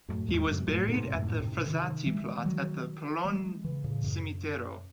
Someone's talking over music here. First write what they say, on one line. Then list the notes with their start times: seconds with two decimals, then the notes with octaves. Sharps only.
He was buried in the Frassati plot at the Pollone Cimitero.
0.08 F#2 A2
0.28 E2 G#2
0.49 F#2
0.68 F#2 A2
0.88 G#2 C3
1.14 F#2 A2
1.40 G#2 C3
1.67 C3 D#3
2.06 E3 G#3
2.45 D#3 F#3
3.25 E3 G#3
3.64 C#3 E3
3.84 A2 C#3
4.04 F#2